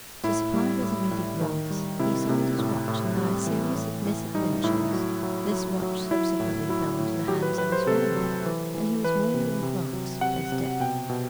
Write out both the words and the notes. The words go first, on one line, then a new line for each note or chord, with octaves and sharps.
To supply his immediate wants he sold his watch; and by a series of misadventures this watch subsequently fell into the hands of his family, and he was mourned in France as dead.
A2 E4
G3
A2
A2
D#3
G3
C3 E4
C3
A2
A2
G3
E3
A2
A2
G3 D#4
A2 E4
F#3
F#3
F#3
F#3
F#3 E4
A2
F#3 E4
A2
F#3 G4
B4
F#3 B4
C5
C3 A4
F#3
E3
E3
E3 B4
C3
C3
F#3
C3 F#5
C3
B2 G5
B2